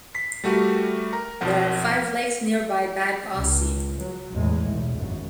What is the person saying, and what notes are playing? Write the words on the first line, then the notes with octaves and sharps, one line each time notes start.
There are five lakes nearby Bad Aussee.
B6 C7
G3 A3 F#4 G4 A#4
A#4 A#5
B1 F2 F3 A#4 F#5
C#2
F#3
A1 E2 A2 G#3
B1 E2
G#1 F#2